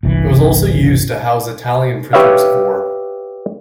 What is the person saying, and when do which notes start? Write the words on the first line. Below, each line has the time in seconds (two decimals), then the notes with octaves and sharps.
It was also used to house Italian prisoners of war.
0.03 G1 C2 E3
2.13 G4 B4 C#5 E5 F5